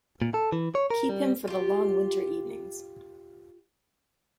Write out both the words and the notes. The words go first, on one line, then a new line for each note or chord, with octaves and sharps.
Keep him for the long winter evenings.
A#2
A4
E3
C#5
A#4
G3
F4 G4